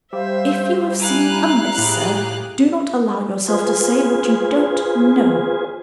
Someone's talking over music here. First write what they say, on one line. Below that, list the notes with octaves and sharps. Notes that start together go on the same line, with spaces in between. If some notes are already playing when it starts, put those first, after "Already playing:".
If you have seen amiss, sir, do not allow yourself to say what you don't know!
G3 C5 E5 F5
E4 G4 F5 G#5 A#5 F#6
A2 G4 G#4
F4 G#4 B4 C5 G#5